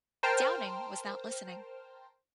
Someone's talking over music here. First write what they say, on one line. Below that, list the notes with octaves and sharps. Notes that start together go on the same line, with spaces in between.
Downing was not listening.
A#4 C5 G5 A5 F6